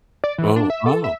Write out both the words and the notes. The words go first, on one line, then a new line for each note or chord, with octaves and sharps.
Oh. Oh.
D5
E3
D4
E5
A4
E5